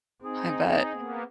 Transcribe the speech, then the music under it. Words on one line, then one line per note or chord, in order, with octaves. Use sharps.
I bet.
C4 D#4 G#4
A#3 B3